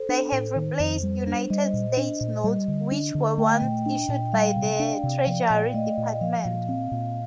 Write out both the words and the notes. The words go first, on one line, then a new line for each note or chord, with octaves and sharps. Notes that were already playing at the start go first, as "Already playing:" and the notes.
They have replaced United States Notes, which were once issued by the Treasury Department.
Already playing: A4 C5
D4
A2
D#3
F2
G3
D4
G3 D#5
A#2
D4
A#2
G3
D3
D4
D3
A3 G5
A#2
D4 G5
A#2
G5
G3 F5
C3
D4 D5
C3
F3 D5
A#2
A3 D#5
A#2
F3 F5
A#2
C4 F5
A#2